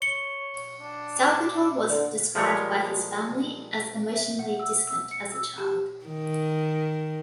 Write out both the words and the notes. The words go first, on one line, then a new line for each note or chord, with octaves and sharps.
Salvatore was described by his family as emotionally distant as a child.
C#5 C#7 G7
D4
D3
F3 G3 G#3 A#3 C#5
E5
F#5
E6
E6
C#7
E6
G4
D#3